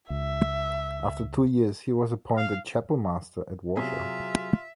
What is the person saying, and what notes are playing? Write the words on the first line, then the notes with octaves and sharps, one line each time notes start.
After two years he was appointed chapel master at Warsaw.
C#2 E5
F5
C3 F#3 F4 G#4 E5